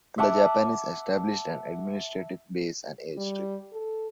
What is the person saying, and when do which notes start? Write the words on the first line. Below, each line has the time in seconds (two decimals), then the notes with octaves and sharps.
The Japanese established an administrative base and airstrip.
0.18 E5 F#5 A5 D6
3.18 G3
3.73 A4